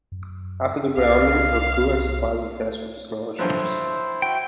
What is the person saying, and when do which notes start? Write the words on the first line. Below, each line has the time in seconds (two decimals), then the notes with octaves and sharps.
After the grounding her crew and supplies were transferred to smaller ships.
0.12 F#2
0.98 C2 F5
3.39 G2 F3 F#3 E4 C5
4.22 E4 F#4 G5